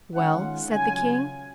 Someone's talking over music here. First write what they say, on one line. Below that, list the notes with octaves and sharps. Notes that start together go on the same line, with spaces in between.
"Well?" said the king.
D#3 G#3 C#4 F4 F#5
C#3 F#3 C#4 F4 G#5